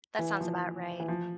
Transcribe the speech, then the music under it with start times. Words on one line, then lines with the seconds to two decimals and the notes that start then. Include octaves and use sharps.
That sounds about right.
0.19 E3
0.41 F3
1.00 E3
1.08 F3